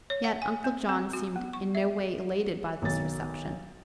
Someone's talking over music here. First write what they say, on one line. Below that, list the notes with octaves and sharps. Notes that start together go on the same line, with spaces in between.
Yet Uncle John seemed in no way elated by this reception.
C#5
F#5
G#5
C4
C4
F#4
B3
C#6
E5
B1 D#3 A6